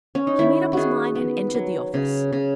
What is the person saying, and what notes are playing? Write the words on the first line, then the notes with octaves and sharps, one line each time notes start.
He made up his mind, and entered the office.
C#4
D#4
D#3 E4
D#3 F#4 G#4
B3
F#3
C#3
C#3